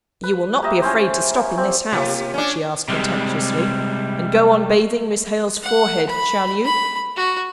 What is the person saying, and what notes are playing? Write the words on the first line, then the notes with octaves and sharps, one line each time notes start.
You will not be afraid to stop in this house,' she asked contemptuously, 'and go on bathing Miss Hale's forehead, shall you?
B4
A#3 G4 D#5 E5
C#4 E4 C5
C4 G4
C3 A#3 F4 G4
C#4 D4
C3 G3 G#3
F#5
B5
B5
F#4